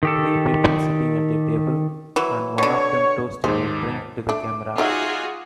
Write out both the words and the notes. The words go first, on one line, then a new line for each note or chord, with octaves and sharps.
Three people sitting at a table, and one of them toasting a drink to the camera.
D#3 G4 A4
E3 F#3
B2 D3 C#5
D#2 G#2 G#3 C5
A3 D4 D6
F#3 D#4 F4 F#4 G#4 D5 E5